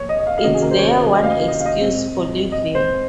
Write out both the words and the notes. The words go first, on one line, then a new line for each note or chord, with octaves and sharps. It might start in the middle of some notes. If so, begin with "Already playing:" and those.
It's their one excuse for living.
Already playing: G#2 F3 A#3 C#5
D#5
D#5
F5
F5
C3 D#3 A#3 C#4 F#4 D#5
G#4
A#4
C5
C#5
D#5
F5
D#5
D#5
F5
D#5
A#2 G#3 C4
D#5
C5